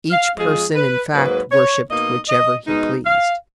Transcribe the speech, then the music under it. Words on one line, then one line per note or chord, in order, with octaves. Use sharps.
Each person, in fact, worshipped whichever he pleased.
F5
F2 F3 G#3 G#4
B4
G#2 F#3 A#3 B4
C#5
B2 A#3 D#4 D#5
D#5
B2 G#3 D#4
F5